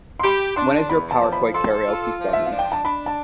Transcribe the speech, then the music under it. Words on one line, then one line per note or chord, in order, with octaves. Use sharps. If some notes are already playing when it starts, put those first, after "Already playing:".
When is your "Powerpoint Karaoke" starting?
C6
G4 B5
D4 C6
E2 B5
A5
F3
B5
A4 C6
F4
F3
E5
F5
D4
G5
A5
D4 B5
A5